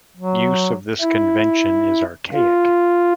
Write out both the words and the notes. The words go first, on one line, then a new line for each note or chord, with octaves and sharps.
Use of this convention is archaic.
F#3
E4
F4